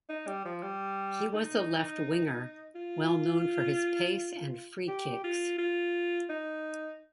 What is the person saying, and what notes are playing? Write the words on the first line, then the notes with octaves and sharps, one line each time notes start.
He was a left winger, well known for his pace and free-kicks.
D#4
G3
F3
G3
D#4
F4
G4
F4
F4
D#4